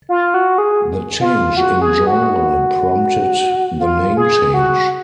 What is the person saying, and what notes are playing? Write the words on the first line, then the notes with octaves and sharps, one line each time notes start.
The change in genre prompted the name change.
F4
F#4
G#4
F4
F#4
G#4
F#4
F4
G#4
F#4